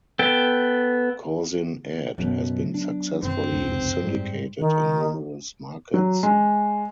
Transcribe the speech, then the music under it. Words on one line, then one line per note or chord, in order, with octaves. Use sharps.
Couzin Ed has been successfully syndicated in numerous markets.
B3 A4 G5
F#2 B2 F#3 B3
D4
F#2 D3 C4
F1 C#2
G#2 G3
D#3
F#3
G#3